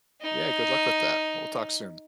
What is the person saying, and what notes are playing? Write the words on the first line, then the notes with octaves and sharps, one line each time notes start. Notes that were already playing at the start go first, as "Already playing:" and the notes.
Yeah. Good luck with that. We'll talk soon.
D#4